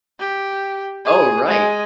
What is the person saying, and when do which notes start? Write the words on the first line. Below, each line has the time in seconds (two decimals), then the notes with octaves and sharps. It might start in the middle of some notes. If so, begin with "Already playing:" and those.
Oh, right.
0.20 G4
1.05 G#4
1.47 G#3